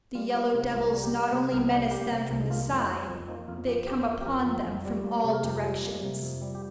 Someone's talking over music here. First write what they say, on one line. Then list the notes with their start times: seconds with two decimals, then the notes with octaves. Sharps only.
The yellow devils not only menace them from the side; they come upon them from all directions.
0.15 G3 F4
0.35 A#3 F4
0.54 C3 F4
0.73 C2 F4
0.93 G3
1.03 G4
1.13 A#3
1.32 C3 C5
1.43 C5
1.52 C2 A#4
1.72 G3 G4
1.91 A#3 G4
2.11 C3
2.31 C2
2.41 D#4
2.50 A#3 F4
2.70 F2
2.79 D#4
2.89 F3
3.08 F2 C4
3.28 A#3 D#4
3.48 F2 F4
3.67 F3 G4
3.87 F2 G4
3.99 C5
4.07 A#3 A#4
4.21 G4
4.26 F2 A#4
4.46 F3
4.66 F2
4.85 G3
5.04 A#3
5.24 C3
5.33 A#4
5.44 F2 G4
5.63 G3
5.83 A#3
6.03 C3
6.22 F2
6.42 G3
6.55 G4